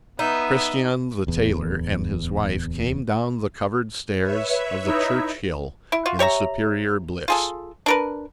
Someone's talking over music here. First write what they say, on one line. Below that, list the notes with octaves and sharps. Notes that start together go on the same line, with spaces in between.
Christian the tailor and his wife came down the covered stairs of the church-hill in superior bliss.
B3 D#4 B4 E5
D1 E2
B4 C#5 E5
D#4 E4
E4
F4 F#4
G4 C#5 E5 A#5
F4 G#4 A4
D4 A#4 B4